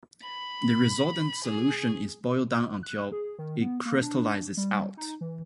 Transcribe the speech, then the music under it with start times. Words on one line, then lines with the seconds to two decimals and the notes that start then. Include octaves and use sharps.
The resultant solution is boiled down until it crystallizes out.
0.23 B5
1.44 G#4
2.83 F#6
3.12 G#4
3.39 D#3
3.61 B3
3.85 A#3
4.01 D4
4.57 G3
4.97 D#4
5.21 E3